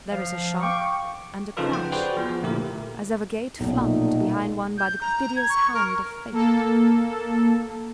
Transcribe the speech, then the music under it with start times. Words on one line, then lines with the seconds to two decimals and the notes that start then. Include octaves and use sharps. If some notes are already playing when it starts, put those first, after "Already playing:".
There is a shock and a crash, as of a gate flung to behind one by the perfidious hand of fate.
0.11 F3 F5
0.61 F5 G5 C#6 D6
1.57 C#3 F3 D#4 F4 A4 B4
1.73 F#5 G5
1.92 F#4 G#4 B4 C5 D5 G5
2.17 F3 B3
2.43 A#2 D3 A3 E4 G4 A#4
3.60 B1 A#2 A3 D#4
4.77 G6
5.01 A#5
5.36 G#6
5.49 C#6
5.73 A#4
6.32 A#3 A4